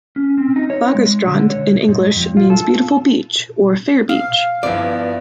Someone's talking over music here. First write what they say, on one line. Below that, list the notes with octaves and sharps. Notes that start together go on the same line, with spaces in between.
"Fagerstrand" in English means "beautiful beach" or "fair beach".
C#4
C4
D#4
C#5
G#3
D3
C#5
G#2
F2
F4
A4
F5
G2 F3 B3 E4 D5